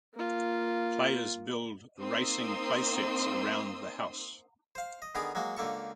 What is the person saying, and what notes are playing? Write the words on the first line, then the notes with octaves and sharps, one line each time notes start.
Players build racing playsets around the house.
A#3 F4
A#3 C4 D#4 C6 D#6 E6
C5 F5
D#5
D3 D#3 B3 G#4 A#5
F#3 G#3 A#3 F#4
C#2 D3 A#3 A4 C#6